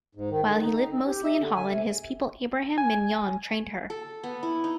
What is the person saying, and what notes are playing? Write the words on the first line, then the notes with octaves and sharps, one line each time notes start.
While he lived mostly in Holland, his pupil Abraham Mignon trained her.
G#2
D#3
D3
D#4
D#4
C4
G4
E5
D3
G#5
C3
G#5
A4
B3
E4
D#4